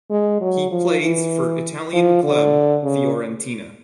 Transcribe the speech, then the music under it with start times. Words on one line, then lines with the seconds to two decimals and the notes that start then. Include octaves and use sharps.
He plays for Italian club Fiorentina.
0.10 G#3
0.41 F#3
0.71 F3
1.02 E3
1.93 F3
2.23 D3
2.83 C#3